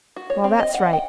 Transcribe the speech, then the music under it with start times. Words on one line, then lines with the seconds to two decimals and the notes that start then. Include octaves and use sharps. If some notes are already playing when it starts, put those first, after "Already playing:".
Well, that's right.
0.16 F#4
0.30 C#5
0.44 C4
0.59 D#5
0.74 F#5
0.93 G5